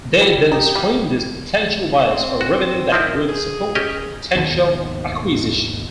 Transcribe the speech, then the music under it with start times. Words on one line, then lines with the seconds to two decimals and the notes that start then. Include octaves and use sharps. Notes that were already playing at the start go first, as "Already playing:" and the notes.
They then screen these potential buyers for revenue that would support the potential acquisition.
0.21 F#3 G3
0.34 F1
0.52 G#1 D#4 G4
0.75 F3 G3
2.11 C4
2.41 F#4
2.92 D#3 F3 C4 E4
3.28 G#4
3.75 C#4 G4 D#5
4.35 G#1 D#2 B2 D#3